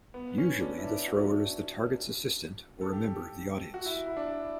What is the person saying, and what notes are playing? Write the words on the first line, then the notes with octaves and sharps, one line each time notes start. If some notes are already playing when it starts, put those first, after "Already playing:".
Usually the thrower is the target's assistant or a member of the audience.
B3
C#4
D4
E4
D4
F#4
A4
G4
F#4
E4
E4
D4